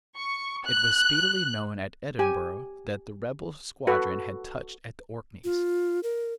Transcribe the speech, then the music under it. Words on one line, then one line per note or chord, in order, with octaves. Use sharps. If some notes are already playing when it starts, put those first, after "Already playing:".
It was speedily known at Edinburgh that the rebel squadron had touched at the Orkneys.
C#6
F#6
G4 G#5
F#4 A4 B4
F4
A#4